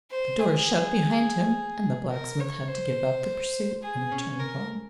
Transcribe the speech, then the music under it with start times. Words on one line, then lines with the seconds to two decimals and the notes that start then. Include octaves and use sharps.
The door shut behind him, and the blacksmith had to give up the pursuit and return home.
0.11 C5
0.40 G#4
2.12 A#4
2.41 C#5
2.68 C5
3.83 G#4
4.11 C#4
4.40 A#4